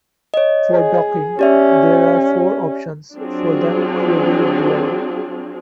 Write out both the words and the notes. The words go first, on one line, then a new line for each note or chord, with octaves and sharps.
For docking, there are four options for the "cradle glow".
C#5 D#5
G#4
C#4 G4 D5 E5
F#3 C4 D4 F4 G#4